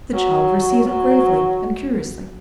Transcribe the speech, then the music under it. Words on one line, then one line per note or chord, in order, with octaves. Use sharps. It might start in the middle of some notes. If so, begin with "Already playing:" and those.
The child received it gravely and curiously.
F#3
F#3